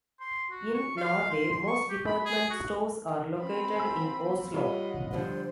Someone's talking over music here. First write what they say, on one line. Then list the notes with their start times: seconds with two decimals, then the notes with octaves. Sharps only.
In Norway, most department stores are located in Oslo.
0.20 C6
0.51 F#4
0.74 C#6
0.97 F5
1.30 C6
1.52 C6
1.67 C#6
1.90 G4
2.06 B5
2.25 G#4
2.50 F#4
3.41 C4 C#4 B5
3.76 A#3 G#5 E6
4.54 G3 F4 C#5 D#5 F#5 B5
5.13 D3 F3 G3 C5